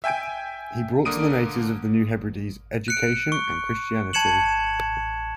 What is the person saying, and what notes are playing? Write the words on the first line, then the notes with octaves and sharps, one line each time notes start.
He brought to the natives of the New Hebrides education and Christianity.
E5 G5 G#5 G6 D7
D3 A#3 D#6 D7 D#7
F#6 C#7 D7
C#6
A5 G#6 C#7 E7 F#7